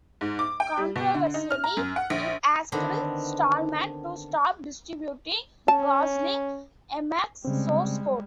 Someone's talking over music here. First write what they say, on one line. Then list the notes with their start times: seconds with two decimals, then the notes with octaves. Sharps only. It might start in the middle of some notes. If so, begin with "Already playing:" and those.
Controversially, it asked Stallman to stop distributing Gosling Emacs source code.
0.21 G#2
0.39 D6
0.60 G5
0.77 G3
0.96 B2
1.14 D3
1.34 D#4
1.51 F6
1.64 A#5
1.77 F#2
1.96 F#5
2.10 A#1
2.72 D3 D#3 B3 C4 D4
5.68 C#4 A5
7.45 C#3 G3 G#3 C4